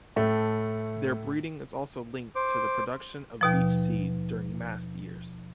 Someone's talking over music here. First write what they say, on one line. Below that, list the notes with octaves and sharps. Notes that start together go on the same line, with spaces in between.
Their breeding is also linked to the production of beech seed during mast years.
A2 A3
C5 D6
D#2 B2 F3